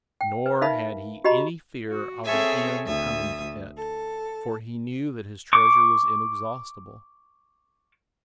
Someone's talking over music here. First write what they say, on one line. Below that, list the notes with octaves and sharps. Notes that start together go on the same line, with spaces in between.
Nor had he any fear of an end coming to it, for he knew that his treasure was inexhaustible.
G5
B4
D#4 A#4 E5 F5 A5 B5
F#4 G4 D#5 A#5 B5
F#4
C4 G#4 A4 C#5 E5 G#5
D2 E5 D#6
A4
C#6 D6